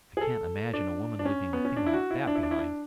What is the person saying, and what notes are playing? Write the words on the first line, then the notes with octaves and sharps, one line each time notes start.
I can't imagine a woman leaving a thing like that behind.
G#4
A4
D4
D4
C#4
B3
C#4
D4
E4
F#4
E4
D4
E4
D4
E4
D4